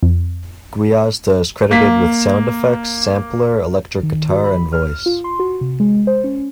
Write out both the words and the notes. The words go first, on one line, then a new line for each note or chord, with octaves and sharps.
Gwiazda is credited with sound effects, sampler, electric guitar and voice.
F2
A#3 B6
D#3
F#4
B5
F6
F4
C6
F#4
C3
G#3
C5
C#4